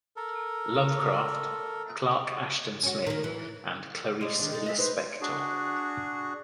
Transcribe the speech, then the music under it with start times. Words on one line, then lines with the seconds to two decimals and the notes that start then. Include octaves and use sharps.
Lovecraft, Clark Ashton Smith and Clarice Lispector.
0.16 A4 A#4
2.83 C#4 F#4
3.07 D#3 A#3
3.24 E3
4.21 G#3 D4
4.39 D#3 D4
4.51 G#3 D#4 A4
4.66 G#3 E4 D#5
4.78 D#4 B4 C5
5.21 D4 F#4 G#4